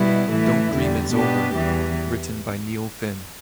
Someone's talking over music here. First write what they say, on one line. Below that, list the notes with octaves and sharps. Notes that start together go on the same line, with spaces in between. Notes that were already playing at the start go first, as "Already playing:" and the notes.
"Don't Dream It's Over" written by Neil Finn.
Already playing: B2 G3 B3 E4
A2 E3 A3 E4
E2 D3 G3
B2 B3 D4 G4
E2 E3 G3